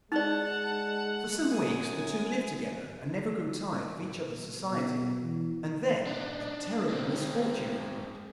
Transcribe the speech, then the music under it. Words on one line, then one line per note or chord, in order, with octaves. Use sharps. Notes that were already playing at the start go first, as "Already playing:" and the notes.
For some weeks the two lived together and never grew tired of each other's society, and then a terrible misfortune happened.
G#3 D#4 D5 F#5 A5
F#2 G#5 D#6
B2
E3
D4 D#4
G#3 C4